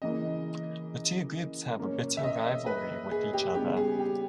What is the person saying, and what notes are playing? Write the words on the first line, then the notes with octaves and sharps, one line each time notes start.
The two groups have a bitter rivalry with each other.
C#3 E3 A#3 D#5
A#2 A#3 C#4
E5
D#5
B4
G#4
G4
C#3 G3 B3 G4
G#4
G4